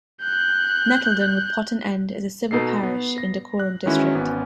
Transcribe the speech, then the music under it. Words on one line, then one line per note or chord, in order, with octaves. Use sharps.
Nettleden with Potten End is a civil parish in Dacorum District.
F#6 G6
B2 D#4 A4 C7
B3
A#6
F#6
D#3 E3 G#3 C#4 E4 F#4
G#1 B3 C#4